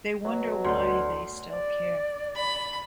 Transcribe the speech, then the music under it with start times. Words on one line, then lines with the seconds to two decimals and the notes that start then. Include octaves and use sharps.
They wonder why they still care.
0.25 B2 F#3
0.65 D2 D5 C6
1.49 D5
2.36 B5